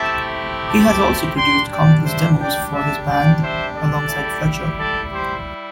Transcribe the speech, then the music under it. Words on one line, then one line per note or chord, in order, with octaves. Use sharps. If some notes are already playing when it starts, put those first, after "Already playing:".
He has also produced countless demos for his band, alongside Fletcher.
Already playing: A3 C4 E4 G4 E5 A5
A5 D6
G3 D4 G4 G5 C6
D5 G5
C5 E5
D5 G5
E5 A5
D5 G5
C5 E5
A4 D5
G3 E4 G4
A4 D5
G4 C5